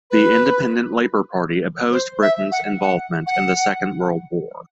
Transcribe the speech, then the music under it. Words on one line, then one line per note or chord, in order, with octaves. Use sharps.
The Independent Labour Party opposed Britain's involvement in the Second World War.
B4
C5
E5
F#5
F#5
F#5